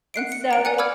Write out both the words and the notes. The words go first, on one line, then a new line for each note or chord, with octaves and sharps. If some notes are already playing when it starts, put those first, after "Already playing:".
and so
F#5 F#6 C7 D7
C#7
A#5 D7
D5 F#5 G#5 F#6 C#7
B5 D6 E6 F6 G#6